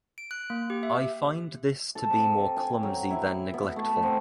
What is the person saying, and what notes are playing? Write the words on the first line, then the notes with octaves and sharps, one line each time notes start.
I find this to be more clumsy than neglectful.
D7
F#6
A#3
G4
E5
A4
C3
G#5
F#3
E4
B3
A3
C4